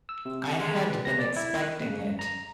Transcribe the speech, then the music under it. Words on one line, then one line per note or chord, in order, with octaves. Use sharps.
I had been expecting it.
E6
C3
G#3
B4
A#6
D5
E4
F#6
C#3
F#2
A#5